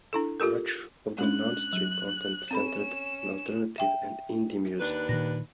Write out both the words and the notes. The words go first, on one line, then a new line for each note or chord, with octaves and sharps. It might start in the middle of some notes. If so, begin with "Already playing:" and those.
Much of the non-strip content centred on alternative and indie music.
D4 E4 A4
F4 G4 A4 A#4
G#3 C#4 D4 F#6
F#3
C4 C#4 A4 B5 E7
E5 G5
D#2 D4 B4
A#2 D#3 A#6